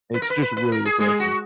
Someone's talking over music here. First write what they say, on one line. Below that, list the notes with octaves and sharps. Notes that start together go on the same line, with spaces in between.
It's just really refreshing.
B4
A#4
B4
B4
B4
A#4
G#4
G#3 G#4
F#4